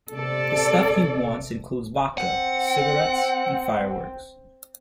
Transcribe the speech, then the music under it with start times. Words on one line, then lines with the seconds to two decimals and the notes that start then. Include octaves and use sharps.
The stuff he wants includes vodka, cigarettes and fireworks.
0.12 C3 A4 D5
2.18 C4 F#5